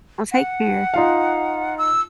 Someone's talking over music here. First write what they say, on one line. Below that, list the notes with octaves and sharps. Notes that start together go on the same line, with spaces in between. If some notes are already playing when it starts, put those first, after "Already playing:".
Well take care,
F#5
D#4 F4 F5
E6